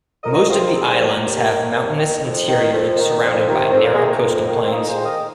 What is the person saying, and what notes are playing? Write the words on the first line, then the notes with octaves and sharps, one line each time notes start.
Most of the islands have mountainous interiors surrounded by narrow coastal plains.
F2 A#4 D#5
C3 D#3 C4 F4
F2 G#3 C4
C3 D#3 A#3
D#2
D#3
D#2
D#3
F2
D#3
F2
D#3
F2
C3 D#3
F2 C4
A#3
C3 D#3 G#3
A#3
F2
D#3
C4
F2 A#3 D#4
G#4 C5
D#3
A#4 D#5